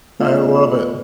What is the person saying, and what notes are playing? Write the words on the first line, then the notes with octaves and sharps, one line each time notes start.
I love it.
A3 B3 F4 A4 D5 D#5